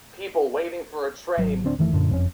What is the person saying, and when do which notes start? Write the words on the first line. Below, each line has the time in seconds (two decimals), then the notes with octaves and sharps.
People waiting for a train.
1.37 G#1 F#3
1.64 D1 D2 C4 D4
1.79 F1 D#3 E3 A3
1.93 F#2 A#2 D3
2.10 F#1 F2 C#3 C#4